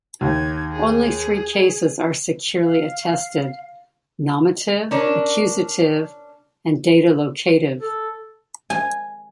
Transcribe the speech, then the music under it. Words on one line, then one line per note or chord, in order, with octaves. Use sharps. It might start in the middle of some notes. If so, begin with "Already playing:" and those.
Only three cases are securely attested: nominative, accusative, and dative-locative.
D#2 D#4 G#6
G#4
F5
C#4 D4 A#4
A4
G#5